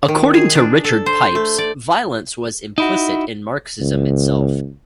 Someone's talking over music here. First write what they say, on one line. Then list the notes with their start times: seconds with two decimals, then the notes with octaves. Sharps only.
According to Richard Pipes, violence was implicit in Marxism itself.
0.08 D#3
0.34 G#4
0.55 D4
0.84 A4
1.06 C5
1.35 A3
1.58 D5
2.78 D#4 E4 F#4
3.81 C#2